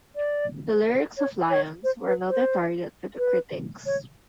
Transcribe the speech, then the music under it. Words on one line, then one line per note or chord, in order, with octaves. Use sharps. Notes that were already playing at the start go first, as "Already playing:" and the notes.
The lyrics of "Lions" were another target for the critics.
D5
C#5
C#5
C5
B4
C5
B4
C#5